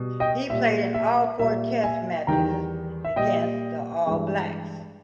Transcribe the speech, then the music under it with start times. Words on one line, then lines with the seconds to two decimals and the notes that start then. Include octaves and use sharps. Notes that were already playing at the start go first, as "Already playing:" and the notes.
He played in all four test matches against the All Blacks.
Already playing: B2 G3
0.20 D#5 G5
0.50 A#2 G3 E5
0.94 E5
1.39 A#2 G3 E5
1.83 E5 G#5
2.27 E2 D#3 G3 G5 A#5
3.05 E5
3.16 A#2 G3 D#5 G5
4.06 G2 E3 G#3